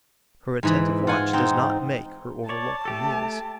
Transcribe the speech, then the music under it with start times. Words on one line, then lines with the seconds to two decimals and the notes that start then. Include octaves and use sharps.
Her attentive watch does not make her overlook her meals.
0.63 G#2 E3 B5
1.07 F4 F#5 G#5
1.33 C4 D#4
2.49 C#5 D5 A5
2.85 A3 G4 A4